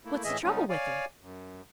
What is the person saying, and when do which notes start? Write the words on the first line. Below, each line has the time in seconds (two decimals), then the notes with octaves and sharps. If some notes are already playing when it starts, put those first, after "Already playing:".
"What's the trouble with her?"
0.05 A3 A#3 E4
0.24 A2 E3 G#4 D#5 E5
0.43 C#3 G3 G#3 B3 C#4 D#4
0.70 C#5 D5 F5 G#5
1.21 F#2